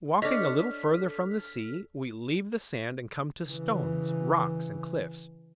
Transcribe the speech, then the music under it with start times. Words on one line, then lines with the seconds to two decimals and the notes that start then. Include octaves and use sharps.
Walking a little farther from the sea, we leave the sand and come to stones, rocks and cliffs.
0.22 D4 A4 C#5 D#5 F6 B6
3.47 C#3 E3